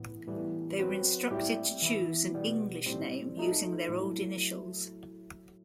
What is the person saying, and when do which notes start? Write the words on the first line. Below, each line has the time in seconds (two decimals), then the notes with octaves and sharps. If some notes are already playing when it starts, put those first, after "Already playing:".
They were instructed to choose an "English" name using their old initials.
Already playing: A2 E3 B3
0.27 A2 E3 G3 B3
0.78 F#3 C4 F#4 B4
1.31 A2 G3 C4 E4 G4
1.82 E3 B3 E4
2.34 B2 G3 B3
2.86 A2 G3 C4
3.37 A3 D#4 F#4 A4
3.89 A2 F#3 A3 E4